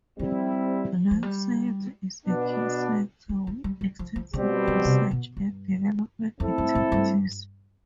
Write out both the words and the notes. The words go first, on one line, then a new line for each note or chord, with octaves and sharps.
Life science is a key sector with extensive research and development activities.
F3 G3 C4 E4
F3
G3
B2 B3 D4
G3
F3
G3
G3
F3
F3
B2 D3 G3 C4 G4
D3
C3
B2
G2
F2 A3 C4 E4 A4
G2
A2
G2